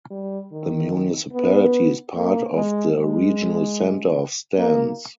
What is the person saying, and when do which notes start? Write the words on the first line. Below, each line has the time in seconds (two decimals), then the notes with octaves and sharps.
The municipality is part of the regional center of Stans.
0.11 G3
0.52 D#3
1.33 B3
2.15 A#3
2.55 G#3
2.96 G#3
4.58 A#3